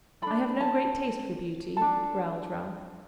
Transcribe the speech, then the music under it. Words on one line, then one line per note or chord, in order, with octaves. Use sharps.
'I have no great taste for beauty,' growled Ralph.
D4 A4 B5
A5
D4 A4 A5